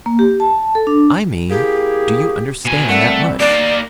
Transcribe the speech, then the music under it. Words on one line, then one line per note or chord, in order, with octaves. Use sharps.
"I mean, do you understand that much?"
A#3
G4
A5
A4
D4
A#3 E4 G4 G#4
B2 G#5
A#2 G3 A3 C4 F#5
A#3 G4 D5